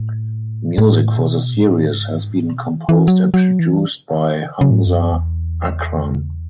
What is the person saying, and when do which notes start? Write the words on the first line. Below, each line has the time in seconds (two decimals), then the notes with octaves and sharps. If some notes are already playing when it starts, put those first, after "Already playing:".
Music for the series has been composed and produced by Hamza Akram.
Already playing: A2
0.78 A2
1.17 B2
1.55 A2
1.93 G#2
2.31 A2
2.51 B2
2.69 E3
2.89 E3
3.08 F#3
3.34 F#3
3.59 E3
4.61 C#3
4.71 A2
4.79 G#2
4.86 F#2
5.12 E2